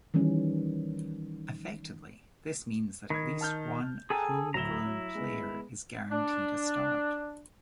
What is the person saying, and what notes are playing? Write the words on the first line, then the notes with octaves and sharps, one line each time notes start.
Effectively this means that at least one home grown player is guaranteed a start.
D#3 E3 G3 C#4
D#3 B5 G#6
A5 F6 G6
G#4 A4 G5 G#5 A#5
D1 E4 A#5 E7 G7
F#3
G#3 B3
D4